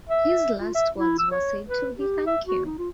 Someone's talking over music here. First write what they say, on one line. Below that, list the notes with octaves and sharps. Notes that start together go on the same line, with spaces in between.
His last words were said to be Thank you.
E5
F4
E5
E4
E6
C#5
B4
G4
E5
F#4
D#4
F4